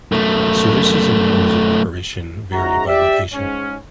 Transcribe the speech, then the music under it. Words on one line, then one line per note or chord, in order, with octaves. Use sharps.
Services and hours of operation vary by location.
F#2 A3
G#2 C#3 F#4 E5 A#5
G4 D5 E5
G#2 C#4